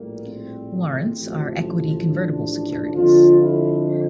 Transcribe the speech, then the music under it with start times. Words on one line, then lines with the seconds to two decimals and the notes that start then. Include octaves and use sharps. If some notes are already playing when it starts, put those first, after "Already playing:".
Warrants are equity convertible securities.
Already playing: A#1 A2 G3 A#3
0.23 C4
1.13 A1 A2 F3
2.03 D4
2.93 F2 D3 F3 F4
3.37 E4